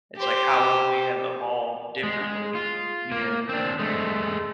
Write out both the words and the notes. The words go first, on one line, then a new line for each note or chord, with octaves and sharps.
It's like, how would we have evolved differently, you know,
G4 C5
G#3
F4
A#3
C4 D4
G#3 A3